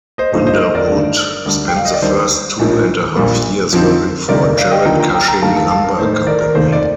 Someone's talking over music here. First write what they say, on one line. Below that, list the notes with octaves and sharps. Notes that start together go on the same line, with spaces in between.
Underwood spent the first two and a half years working for Jarrett-Cushing Lumber Company.
C5 D#5
G1 G2 F3 A3 D#4 C5
C5 D#5
C5 D#5
A#4 D5
G2 D3 A3 D#4
D2 D3 G3 D4
G5
F5
D#5
D5
D#2 D#3 G3 D4 C5
A#1 A2 F3 A#3 D#4
A#1 A#2 G3 A#3
F2 D3 F3 C4 D#4
D2 C3 G3 A#3 D#4 A#4 D5
A#4
D5 F5
D#5 G5
D#2 D3 F3 A#3 D#4 G5 A#5
G5 A#5
G5 A#5
G5 A#5
G2 D#3 A3 F5 A5
F5 A5
F5 A5
A#4
A2 A3 D#4 C5
C5
A#4 D5
A#4
F1 D#2 D#3 A3 C5
D5